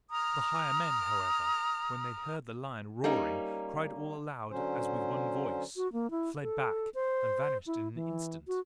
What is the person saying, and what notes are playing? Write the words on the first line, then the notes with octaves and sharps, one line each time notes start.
The higher men, however, when they heard the lion roaring, cried all aloud as with one voice, fled back and vanished in an instant.
A#5 D#6 F6
G3 A#3 C#4 D#4
D3 F#3 C#4 C5
F#4
A#3
E4
A4
C5
E4
E3
F#4